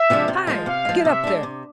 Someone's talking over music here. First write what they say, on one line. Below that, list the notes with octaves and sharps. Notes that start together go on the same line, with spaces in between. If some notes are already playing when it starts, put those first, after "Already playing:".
Hi! Get up there!
Already playing: E5
C3 F3 G#3 D4
C3
F3 G#3
C3 F5
F3 G#3
C3 E5
G#3 D4
C3